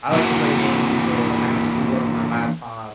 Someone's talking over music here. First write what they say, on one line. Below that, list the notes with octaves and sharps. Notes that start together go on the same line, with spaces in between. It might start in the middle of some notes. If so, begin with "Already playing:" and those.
I like to play games or I have to do work on my laptop
E3 A#3 D4 F#4 A#4